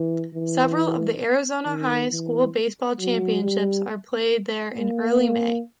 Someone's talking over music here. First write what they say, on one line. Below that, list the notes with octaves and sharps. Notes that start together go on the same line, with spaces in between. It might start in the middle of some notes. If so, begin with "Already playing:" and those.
Several of the Arizona high school baseball championships are played there in early May.
Already playing: E3
E3
D#3
E3
F#3
G3
A#3
A#3